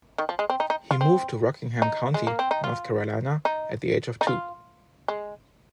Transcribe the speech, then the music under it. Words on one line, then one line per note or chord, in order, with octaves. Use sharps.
He moved to Rockingham County, North Carolina at the age of two.
D#3
F3
G#3
C4
D#4
D#4
F4
C4
D#4
G#3
A#3
C4
D#4
F4
D#4
D#4
F4
G#3